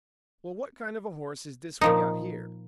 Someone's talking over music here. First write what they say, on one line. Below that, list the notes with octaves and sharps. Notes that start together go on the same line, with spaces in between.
Well, what kind of a horse is this we got here?
A#2 F3 D#4